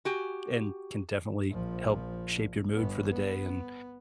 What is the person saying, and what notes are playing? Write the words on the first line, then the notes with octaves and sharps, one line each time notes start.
And can definitely help shape your mood for the day and
F#4 G4 G#5
A#1 F3
G1 B3
B3